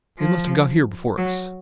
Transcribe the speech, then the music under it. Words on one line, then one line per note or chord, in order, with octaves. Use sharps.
"They must have got here before us."
F3
F#3